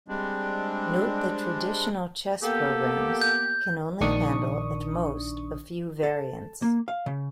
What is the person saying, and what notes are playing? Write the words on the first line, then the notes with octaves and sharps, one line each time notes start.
Note that traditional chess programs can only handle, at most, a few variants.
G3 G#3 C4 D4
A#3 B3 G4 A4
G6
A#1 D#3 D4 C#6 D#6
A4
A#3
F5
C#3